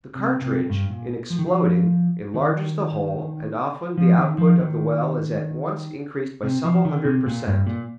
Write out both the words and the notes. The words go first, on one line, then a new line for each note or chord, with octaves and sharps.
The cartridge, in exploding, enlarges the hole, and often the output of the well is at once increased by several hundred per cent.
C3
C3
G2
A#2
F3
D#3
F3
D#3
F3
D#3
F3
D#3
C3
F3
D#3
C3
A#2
G2
A#2